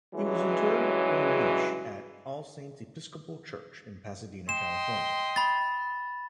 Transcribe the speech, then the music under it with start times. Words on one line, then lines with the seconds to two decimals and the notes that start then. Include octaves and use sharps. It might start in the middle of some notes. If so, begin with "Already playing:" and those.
He was interred in a niche at All Saints Episcopal Church in Pasadena, California.
0.14 G2 C#3 E3 F#3 G#3
4.49 D#5 G5 C6 E7
5.36 B5 A6